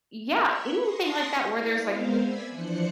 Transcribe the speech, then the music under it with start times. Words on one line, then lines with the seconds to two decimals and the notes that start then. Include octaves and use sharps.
yeah, anything like that where there's like,
0.41 C#6 E6 F#6 G#6 B6
0.79 C6 C#6 D#6 A#6 C7
1.46 E4 D5 F5
1.81 G#3 B3 C4 A#4 C5 F5
2.18 D5 E5 G#5 B5 E6 G#6
2.50 E3 F3 D4 C5 F#6 C#7